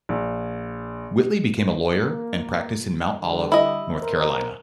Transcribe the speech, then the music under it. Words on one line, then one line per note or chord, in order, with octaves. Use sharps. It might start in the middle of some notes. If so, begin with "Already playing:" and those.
Whitley became a lawyer and practiced in Mount Olive, North Carolina.
A#1
A#3
D3 G3
E4 D#5
A#4 C5